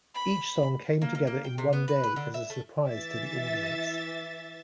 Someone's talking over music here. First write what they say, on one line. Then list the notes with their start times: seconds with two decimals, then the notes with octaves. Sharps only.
Each song came together in one day as a surprise to the audience.
0.14 B5
1.02 A#3
1.15 A#3
1.27 A#3
1.44 G5
1.58 C3
1.73 B3
1.88 B4
2.04 B4
2.16 D3
2.34 E5
2.50 A3
2.89 E3 E5 A6